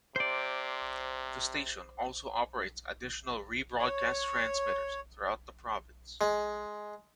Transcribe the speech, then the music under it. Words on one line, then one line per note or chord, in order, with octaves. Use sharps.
The station also operates additional rebroadcast transmitters throughout the province.
C3 C5 D5
C#5
G#3